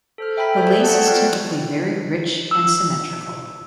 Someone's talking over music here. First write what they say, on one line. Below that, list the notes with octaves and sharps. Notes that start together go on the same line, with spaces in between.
The lace is typically very rich and symmetrical.
A4 C5 F6
E5 G5 G#5 A#5 B5 B6
G#4 A4 C5 C#5 E5
C4 G#4 D5 F#5 A5
A4 C#5 G5
B3 F4 D5 F6 F#6
E6